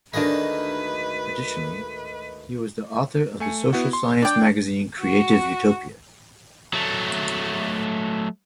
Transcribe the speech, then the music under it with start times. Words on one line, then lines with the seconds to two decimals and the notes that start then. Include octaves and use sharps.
Additionally, he was the author of the social science magazine “Creative utopia”.
0.14 D2 D#3 G#3 D4 B4 A#6
3.40 A3 G#5 C#7
3.73 B3 E4 F#4
3.93 C6
4.22 D4 D5 G5
5.00 F#4
6.74 F#3 A3